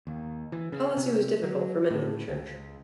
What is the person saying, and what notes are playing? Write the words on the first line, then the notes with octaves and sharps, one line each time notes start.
The policy was difficult for many in the church.
D#2
E3
C#3
C3
F#3
A2
C#2